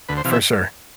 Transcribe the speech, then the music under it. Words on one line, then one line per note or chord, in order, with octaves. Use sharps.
For sure.
D2 B4
C5
C3 E3 F5
E5